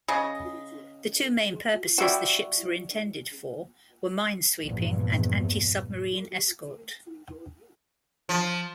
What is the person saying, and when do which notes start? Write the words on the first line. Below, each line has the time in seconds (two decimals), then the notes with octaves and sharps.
The two main purposes the ships were intended for were minesweeping and anti-submarine escort.
0.08 C#3 D#5
1.98 G3 E4 F#4
4.63 A#1 E2 G2
8.29 F3